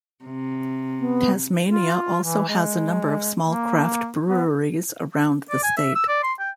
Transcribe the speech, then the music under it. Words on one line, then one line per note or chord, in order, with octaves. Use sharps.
Tasmania also has a number of small craft breweries around the state.
C3
B3
F4
E3
G#3
A#3
B3
D5
G#5
E5
E6
D5
C6
G5